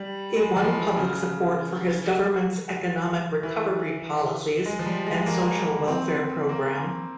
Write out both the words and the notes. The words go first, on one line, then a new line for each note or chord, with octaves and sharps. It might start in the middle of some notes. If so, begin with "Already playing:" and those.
He won public support for his government's economic recovery policies and social welfare programme.
Already playing: G3
G#3
F3
E3
C#3
E3
G#3
F3
G3
G#3
A#3
C4
A#3